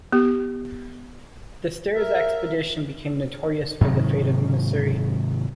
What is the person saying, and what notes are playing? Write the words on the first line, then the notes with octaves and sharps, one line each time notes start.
The Stairs Expedition became notorious for the fate of Msiri.
B3 G4
A#4 E5
G#2 C3 D#3 F#3